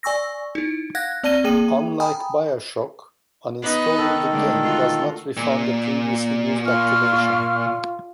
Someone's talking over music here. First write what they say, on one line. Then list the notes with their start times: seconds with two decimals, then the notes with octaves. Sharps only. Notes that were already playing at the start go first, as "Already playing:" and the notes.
Unlike "BioShock", uninstalling the game does not refund a previously used activation.
0.03 D5 G#5 C#6 E6 A#6
0.55 D#4 E4
0.95 F5 F#5 F#6 G#6 A#6
1.23 C4 D5 A5 A#6 D#7 G7
1.44 A#3 G#4 G5 A5 D#7
2.00 G5 G#5 A#5 B5 D#6
3.63 B3 D#4 B4
3.98 D#3 A4
4.32 D3 G#3 A3
4.63 F4 F#4
5.37 A#2
6.64 F4 F5 C#6 F6